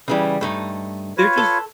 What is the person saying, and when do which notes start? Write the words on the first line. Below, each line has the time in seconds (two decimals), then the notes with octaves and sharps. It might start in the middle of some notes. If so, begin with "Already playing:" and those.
They're just
0.08 C#3 E3 G3
0.41 G2 A3 D#4
1.17 F4 B4 C#5
1.38 A4